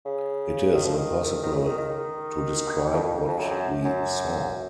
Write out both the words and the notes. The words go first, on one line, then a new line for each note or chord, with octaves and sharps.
It is impossible to describe what we saw.
C#3
D#3
F3
D#3
D#3
C#3
D#3
D#3
F2
F2
F2
F#2
F#2
F#2